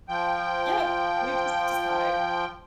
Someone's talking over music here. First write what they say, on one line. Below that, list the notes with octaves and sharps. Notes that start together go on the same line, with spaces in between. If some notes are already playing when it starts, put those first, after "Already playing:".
Yep, they just decide.
F3 G5